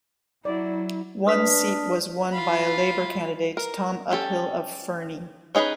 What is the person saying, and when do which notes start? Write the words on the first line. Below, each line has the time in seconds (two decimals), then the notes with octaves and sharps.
One seat was won by a Labour candidate, Tom Uphill of Fernie.
0.45 F#3 E4 D5
1.27 D4 B4 D#6 F6 B6
2.32 F4 B5
3.57 A#4
4.11 C#4 G4 A4
5.55 C#4 D#4 G#4 A#4 B4